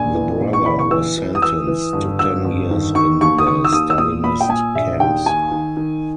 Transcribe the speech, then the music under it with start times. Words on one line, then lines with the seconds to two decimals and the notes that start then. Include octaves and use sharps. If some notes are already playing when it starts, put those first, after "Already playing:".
The brother was sentenced to ten years in the Stalinist camps.
Already playing: A#1 G#5
0.15 E3
0.40 A#1
0.53 C#6
0.66 E3 B5
0.79 C#6
0.91 E3 E6
1.17 E3
1.35 D#6
1.42 E3 E6
1.67 E3
1.93 G1
2.19 G1 E6
2.45 G1
2.71 D#3
2.95 D#3 C#6
3.21 D#2 C#6
3.38 D#6
3.47 D#3 C#6
3.65 E6
3.73 D#2 D#6
3.90 E6
3.98 A#2 D#6
4.24 A#2 B5
4.41 G5
4.49 A#2 G#5
4.75 A#1 E5
5.00 D#2 G5
5.26 D#3 G#5
5.52 D#3
5.77 D#3